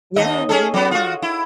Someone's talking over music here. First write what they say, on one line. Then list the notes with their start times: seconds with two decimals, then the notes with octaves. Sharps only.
yeah. Yeah,
0.16 D#2 D#4 D#5
0.49 C#4 G#4 A4
0.74 F#3 B3
0.91 F4 F#4
1.22 E4